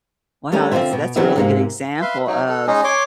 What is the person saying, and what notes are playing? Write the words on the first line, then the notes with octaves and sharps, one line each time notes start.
Wow, that's that's a really good example of
G3 A3 C#4 A#4
D3 C4 C#4 F4 C5 E5
B2
E3 F#3 B3 C4 G4 E5
G#2 C3 A#3
B4 E5 F5 C6
F#3 D#4
A4
G#3 C#4 D#4 G#4
C#5 C6 D6